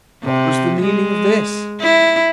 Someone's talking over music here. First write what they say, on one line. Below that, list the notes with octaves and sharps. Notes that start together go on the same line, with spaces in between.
What was the meaning of this?
C3
G#3
E4